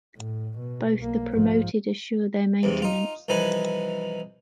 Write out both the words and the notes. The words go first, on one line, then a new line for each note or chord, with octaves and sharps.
Both the promoted assure their maintenance.
A2
B2
B1 A#3
G#2 F3
E2 G2 C3
D#4 F4
C2 E3 F3 D#4 B4 G#5